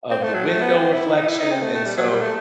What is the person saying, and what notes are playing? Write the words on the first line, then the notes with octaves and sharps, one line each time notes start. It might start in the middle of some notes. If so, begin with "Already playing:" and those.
of the window reflection, and so
C4
A3
F#3
A3
B3
C4
E4
D#4
E4
D#4
C4
A3
A3
G3
F#3
G3
A3